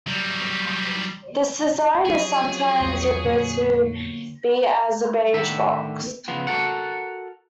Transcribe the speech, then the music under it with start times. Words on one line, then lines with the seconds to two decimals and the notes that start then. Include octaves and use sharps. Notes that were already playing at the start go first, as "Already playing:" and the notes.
This design is sometimes referred to be as a "beige box".
0.07 F#3 G3
2.05 F3 F#3 G4 G#4
2.80 A#1 E2 G#3 C4
3.25 F2 A#2 D3 A#3
5.33 A2 D3 D#3 E5
6.28 C#3 F3 B3
6.47 F#4 A4 A#4 F#5